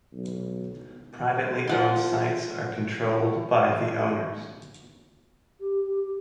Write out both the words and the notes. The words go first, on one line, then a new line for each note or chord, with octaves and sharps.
Privately owned sites are controlled by the owners.
B1
F3 F#5 C6
G4
G4
G4